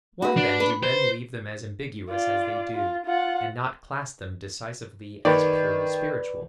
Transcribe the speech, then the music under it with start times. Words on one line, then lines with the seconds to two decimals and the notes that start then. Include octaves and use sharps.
Why then do men leave them as ambiguous as they do, and not class them decisively as purely spiritual?
0.22 F#4 B4
0.37 D4
0.60 B4
0.83 C5
2.10 F4 D5
2.75 F4
3.06 F4 F#5
5.25 D#3 B4 D5